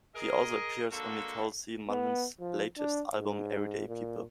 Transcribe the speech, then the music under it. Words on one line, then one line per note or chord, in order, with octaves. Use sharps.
He also appears on Nicole C. Mullens' latest album, "Everyday People".
G#4 A#4 D#5
D3 G#3 A#3 F#4 A4
B3
F3
D4
G#2
A#2